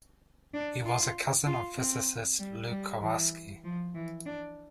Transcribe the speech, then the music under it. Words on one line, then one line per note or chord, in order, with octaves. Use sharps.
He was a cousin of physicist Lew Kowarski.
D4
F4
F4
C4
G3
G3
E3
F3
E3
D4